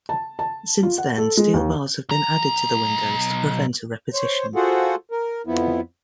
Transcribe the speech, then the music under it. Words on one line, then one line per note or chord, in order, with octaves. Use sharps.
Since then steel bars have been added to the windows to prevent a repetition.
A5
A5
F4
F#5
A4
G#3
D#2
B1 A#5
C5 C#5
F4 F#4 G#4 A4 C5 F#5
A#4
F2 F3 B3 E4